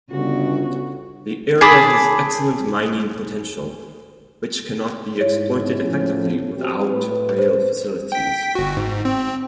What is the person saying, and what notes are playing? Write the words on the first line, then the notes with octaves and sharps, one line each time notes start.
The area has excellent mining potential which cannot be exploited effectively without rail facilities.
G1 C#3 F#4
G#4 A5 B5 D6
G#2 E4 C#5
A2 F3 C#4
C4 F#4 G4
A2 B4
C5
G5 B6
G1 F#4
G#2
C4